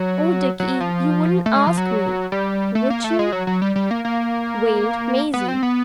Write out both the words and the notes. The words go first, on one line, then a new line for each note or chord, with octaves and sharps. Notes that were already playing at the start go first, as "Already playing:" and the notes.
Oh, Dickie, you wouldn't ask me--would you?' wailed Maisie.
Already playing: F#3
F#3
F3
A3
G#3
F3
F#3
G3
A3
A#3
A3
G#3
F#3
F#3
G3
G3
A#3
A#3
B3
C4
B3